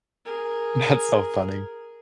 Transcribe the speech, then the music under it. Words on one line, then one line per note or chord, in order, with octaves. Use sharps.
That's so funny.
G#4 A#4